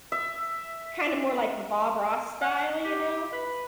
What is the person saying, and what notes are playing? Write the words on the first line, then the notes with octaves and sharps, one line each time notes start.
Kinda more like the Bob Ross style, you know?
E5
F#5
G4
B4